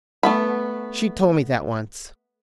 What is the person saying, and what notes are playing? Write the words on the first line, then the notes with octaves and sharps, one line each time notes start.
"She told me that once."
A3 B3 B5